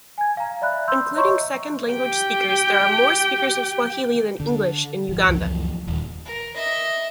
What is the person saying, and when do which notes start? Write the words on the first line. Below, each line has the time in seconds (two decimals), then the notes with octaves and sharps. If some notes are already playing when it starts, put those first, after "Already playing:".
Including second-language speakers, there are more speakers of Swahili than English in Uganda.
0.18 G#5 G#6
0.37 F5 A#5
0.62 D5 E5 B5 F#6
0.88 C6 E6 G6
1.16 C#5 D#5 E5 A#5 C6 C#6
1.93 G4 G5
4.40 D3
5.09 G#1 F3
5.27 C#2 F#2 E3 F3
5.87 D#1
6.25 A#4
6.55 D#5 E5